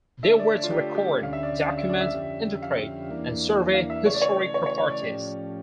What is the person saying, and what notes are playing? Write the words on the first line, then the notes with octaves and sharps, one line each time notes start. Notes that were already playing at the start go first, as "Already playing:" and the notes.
They were to record, document, interpret, and survey historic properties.
D3 A3 D4 A4 C#5 E5
D5
D5
F4
G4
G4
D2 D3 G3 C#4 F5
E5
D5
F5
E5
D5
E5
F2 D3 G3 C#4 G4
F5
E2 E3 A#3 D4
F5
E5
C#3 E3 A3 C#5
D5
C#5
C#5
C#5
C#5
D5
A2 F3 C#4 G4